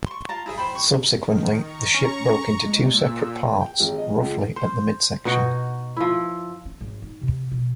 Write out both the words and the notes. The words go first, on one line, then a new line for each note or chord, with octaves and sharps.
Subsequently, the ship broke into two separate parts, roughly at the midsection.
C6 C#6
F4 A5 A#5
E4 G#4 E5
C5 G5 B5
C#6
D#3
A#5 C#6
C#4
A#2 G#3
E6
G5
G#1
D#5
C#2
C5
B2 D#4 F#4
F3 E4
C#4
G#1
D#4
C3
B2